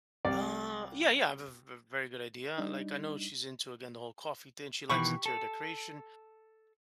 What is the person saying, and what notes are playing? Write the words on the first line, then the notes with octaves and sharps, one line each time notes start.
Uh, yeah, yeah, I have a v v very good idea. Like, I know she's into, again, the whole coffee thing, she likes interior decoration,
C2 D5
G3 D4 D#4
B2 D#3 E3 G4 B5 C#6
A4